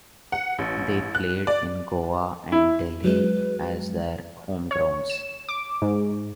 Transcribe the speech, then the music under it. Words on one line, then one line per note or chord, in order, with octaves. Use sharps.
They played in Goa and Delhi as their home grounds.
F#5
A1
F#6
D5
E4
F#3 G#3 B4
C#5
E7
D6
G#2